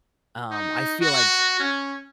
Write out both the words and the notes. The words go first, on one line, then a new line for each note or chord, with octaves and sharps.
Um, I feel like,
D#4
F#4
C#4